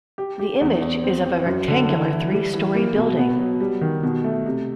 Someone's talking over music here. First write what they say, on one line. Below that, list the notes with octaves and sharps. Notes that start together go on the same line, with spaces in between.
The image is of a rectangular three-story building.
G4
G4
E2
E2
C4
C4
F#2
D3
E3
E3
G3
E3
A#3
B2
B3
F#3
G3
D#3
B2
A3
C3